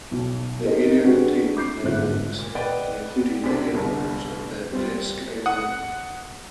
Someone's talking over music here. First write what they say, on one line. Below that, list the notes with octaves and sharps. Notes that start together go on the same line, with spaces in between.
The area contains many lakes, and included the headwaters of the Presque Isle River.
B1
D#4 G4 A#4 C5 D#5
G#3 C4 D4 F#4 B4
D6 G6 C7
G1 G#2 F4 C5 E5 F#6
A#2
B4 D5 D#5 F#5 G5 B5
A#1 F#2 C3 D4 C5 B6
G1 C2 D3
G3 C4 F4
F#5 D#6